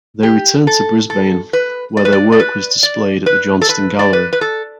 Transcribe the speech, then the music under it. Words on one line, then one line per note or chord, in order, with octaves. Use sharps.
They returned to Brisbane where their work was displayed at the Johnstone Gallery.
G4
A4
A4
B4
D5
B4
D5
D5
B4
D5
B4
A4
B4
D5
B4
B4
A4